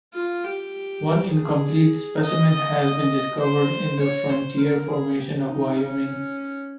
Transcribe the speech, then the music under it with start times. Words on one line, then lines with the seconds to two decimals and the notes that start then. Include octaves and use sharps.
One incomplete specimen has been discovered in the Frontier Formation of Wyoming.
0.14 F4
0.44 G4
1.32 G#4
2.22 D#5
2.51 D#5
2.81 D#5
3.40 C5
3.99 C#5
4.29 C5
4.58 A#4
4.89 G#4
5.18 G4
5.47 D#4
5.77 C#4